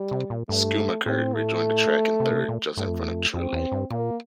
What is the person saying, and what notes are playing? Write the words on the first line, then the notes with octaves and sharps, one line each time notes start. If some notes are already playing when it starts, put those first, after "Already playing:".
Schumacher rejoined the track in third, just in front of Trulli.
Already playing: G3
C3
A#2
G2 A3
A2 C4
A3
C3
A#2
C3
A#2
G2 A3
F2
E2
F2
F2 C4
E2
G2
A#2 A#3